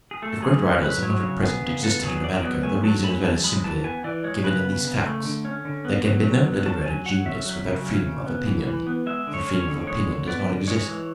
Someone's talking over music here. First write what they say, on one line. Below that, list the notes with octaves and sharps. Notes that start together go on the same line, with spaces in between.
If great writers have not at present existed in America, the reason is very simply given in these facts; there can be no literary genius without freedom of opinion, and freedom of opinion does not exist in America.
G#4
A3 A4
F#3 G#4
C#4
F#3 B4
F#3 C#5
C#3
B3 G#4
C#3
B3 A4
F#3 G#4
F#3 D5
B3
A3 G#5
F#3 A5
C#4 B5
F#3 A5
G#3 B5
E3 A5
B3 G#5
E3 D5
G#3 C#5
C#3 B4
B3
C#3
A3
D3
C#4
D3
B3
F#3
F#3
B3
C#4 A5
F#3 G#5
F#3 F#5
C#4 E5
F#3
C#3
C#4
C#3
B3
E3
E3
B3
G#3 E5
D3
C#5
C#4
C#5
D3
G#3 C#5
D3
B3 D5
D3
G#3 C#5
E3